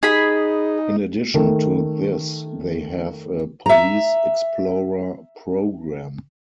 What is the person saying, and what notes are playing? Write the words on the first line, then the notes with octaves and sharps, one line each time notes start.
In addition to this they have a Police Explorer program.
D#4 G#4 B5
D#3 A3
E5 A#5